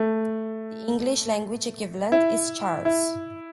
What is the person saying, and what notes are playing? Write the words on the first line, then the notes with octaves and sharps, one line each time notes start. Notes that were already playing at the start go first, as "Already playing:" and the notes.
The English language equivalent is Charles.
Already playing: A3
E4
E4